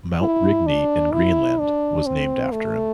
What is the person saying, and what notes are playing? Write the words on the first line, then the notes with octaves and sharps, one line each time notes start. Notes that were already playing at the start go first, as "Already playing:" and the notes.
Mount Rigny in Greenland, was named after him.
E4
D4
E4
D4
C4
A3